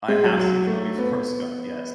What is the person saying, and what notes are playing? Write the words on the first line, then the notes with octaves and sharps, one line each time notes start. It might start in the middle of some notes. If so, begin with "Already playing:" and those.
I have seen the movie Forrest Gump. Yes.
G#3
F#3
F#3
A3
B3